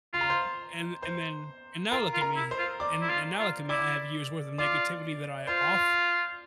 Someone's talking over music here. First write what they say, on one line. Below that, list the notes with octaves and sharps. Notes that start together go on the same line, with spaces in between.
You know? And and then and now look at me, and and now look at me. I have years worth of negativity that I off
F4 C6
A#5
C5 C6
C5 C6
F4 A#4 A#5
F4
A#4 A#5
E4
C5 C6
F4
D5 D6
E4
F4
F4
E4 D5 D6
F4 D5 D6
F4 C5 C6